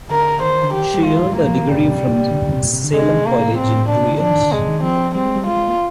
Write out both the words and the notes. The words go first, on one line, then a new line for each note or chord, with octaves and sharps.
She earned her degree from Salem College in two years.
D3 A#4
D#3 C5
D#3
D3
D#3 G4
G3
G#3 F4
G#3 A#3
F3
D#3
D3 G3
C3
C3
D3
D3
C3
A#2
C3
D3
C3 G#3
A#3
C4
A#2 D4
C3
D3
F3 D4
D#3
D3
C3 G#3
D#3
F3 C4
G3 C4
G#3
G3
G#3 F4
G#3
A#3